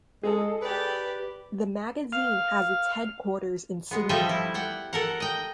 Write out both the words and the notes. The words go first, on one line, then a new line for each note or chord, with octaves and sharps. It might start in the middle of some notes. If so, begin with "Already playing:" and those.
The magazine has its headquarters in Sydney.
G#3 G#4 A4
G4 B4 D5
F5
G#3 B3
F3 G3 A4 D#5 E5 G5
E4
D5 F#5 G5
A4 A#4 F#5
D#5 G5